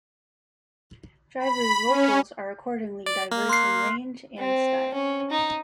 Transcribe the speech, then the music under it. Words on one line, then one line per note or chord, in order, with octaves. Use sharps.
Driver's vocals are accordingly diverse in range and style.
B5
C#4
D5
A#3 F6
C6 F#6 C7
C4
C#4
D#4